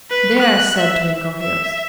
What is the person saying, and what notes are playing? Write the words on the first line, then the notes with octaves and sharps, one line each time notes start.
"There!" said Twinkleheels.
B4
F#6
E5
E5